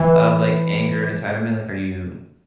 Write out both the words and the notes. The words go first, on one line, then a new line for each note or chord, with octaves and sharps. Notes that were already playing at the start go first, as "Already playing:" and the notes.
of, like, anger and entitlement, like, are you,
Already playing: E3